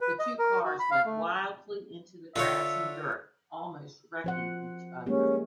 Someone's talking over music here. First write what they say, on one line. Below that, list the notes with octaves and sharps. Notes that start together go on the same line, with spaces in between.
The two cars went wildly into the grass and dirt, almost wrecking each other.
B4
D#5
A#4
F#4
B5
F5
A3
D3 F4 A4 C#5 E5
F3 C5 F#5
G3 G#3 A#3 C#4